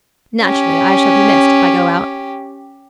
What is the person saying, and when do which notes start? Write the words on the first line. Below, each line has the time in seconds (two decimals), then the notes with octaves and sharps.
Naturally I shall be missed, if I go out.
0.43 C#4 G4